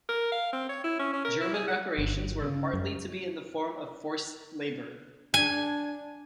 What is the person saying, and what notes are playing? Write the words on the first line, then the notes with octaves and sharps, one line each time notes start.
German reparations were partly to be in the form of forced labor.
A#4
F5
C4
C#5
E4
C#4
C#4
A#4
E4
G#4
F#5
G1
C#3
F#2
D4 G#5